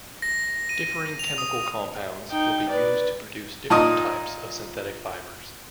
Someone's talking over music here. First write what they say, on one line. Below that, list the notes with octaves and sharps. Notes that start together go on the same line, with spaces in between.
Differing chemical compounds will be used to produce different types of synthetic fibers.
A#6
D#7
F7
D#6
D#4 G5
B4 D5
A#2 D#4 D#5